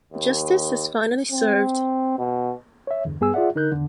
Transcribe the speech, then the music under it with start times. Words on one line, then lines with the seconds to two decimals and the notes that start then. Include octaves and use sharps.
Justice is finally served.
0.13 D#2
1.32 C4
2.19 B2
2.87 C#5 E5
3.05 E2 G2 D3
3.21 G2 B3 G#4 G#5 E6
3.34 F4 G#4 D5 E5 F#5
3.55 D3 D#4 A#4 F#6 G6
3.72 E2 D3